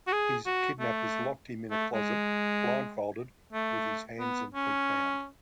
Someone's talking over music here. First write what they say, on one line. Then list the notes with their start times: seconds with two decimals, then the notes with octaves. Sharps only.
His kidnappers locked him in a closet, blindfolded with his hands and feet bound.
0.07 F#4
0.13 G#4
0.46 F#4
0.80 A3
1.71 A3
1.94 G#3
3.53 A3
4.20 B3
4.55 C#4